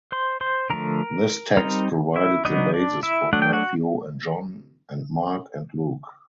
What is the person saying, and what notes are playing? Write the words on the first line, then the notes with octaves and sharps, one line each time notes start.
This text provided the basis for Matthew and John and Mark and Luke.
C5 C6
C5 C6
D3 F3 A3 A#4 A#5
G3 C4 D#4 A#4 A#5
E4 E5
F#3 B3 D4 D#4 D#5
D4 D5
E4 E5
F#3 A3 D4 F#5
G5
F#4 F#5